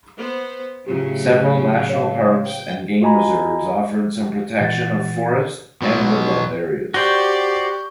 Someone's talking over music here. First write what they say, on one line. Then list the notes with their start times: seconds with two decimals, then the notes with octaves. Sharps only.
Several national parks and game reserves offered some protection of forest and woodland areas.
0.17 B3 C5
0.87 A2 C#3 F#3 F4 G4
1.89 C#5 F5
2.46 G5
3.01 F4 F#4 D#5 G#5 A#5 B5
4.61 A#2 E3 F#5 A6
5.82 B2 F#3
6.94 F#4 G4 C5 D5 G5 C#6 G6 G7